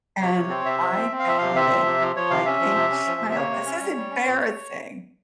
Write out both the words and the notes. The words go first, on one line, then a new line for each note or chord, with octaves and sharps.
and I pouted like a child. This is embarrassing!
C3 C#5
C3
C4
C3 E5
F3
C4
C4
F5
F3 E5
C3 F5
C4 E5
F3
C3
F3
F3 C#5
C3 F5
C#4 E5
F3
C3
C#4
F3
C3
E5
A#3 C#5
C3
C#4
G3
G3
C#4
A#2